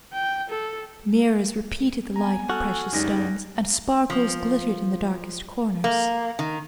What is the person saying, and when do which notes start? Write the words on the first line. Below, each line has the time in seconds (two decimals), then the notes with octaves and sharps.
Mirrors repeated the light of precious stones, and sparkles glittered in the darkest corners.
0.13 G5
0.50 A4
2.16 B3 G#5 A#5
2.50 F#4 A4 F6 F#6
2.93 G1 F#2 G3 G#3 D#4 A#6
4.10 F3
5.84 A#3
6.39 D#3